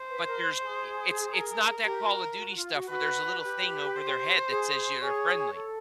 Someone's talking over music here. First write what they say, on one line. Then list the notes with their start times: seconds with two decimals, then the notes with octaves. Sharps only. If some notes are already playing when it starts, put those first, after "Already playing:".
but there's i it's it's not that Call of Duty stuff where there's a little thing over their head, that says you're friendly.
Already playing: C5
0.09 B4
0.27 A#4
0.62 G#4
1.33 A#4
1.84 G4 A#4
2.03 F#4
2.38 F#4
2.48 F#4
2.55 F4
2.73 F#4
2.90 F#4 B4
3.42 G4 B4
3.96 C5
4.49 G#4
5.01 G#4 C#5
5.54 A4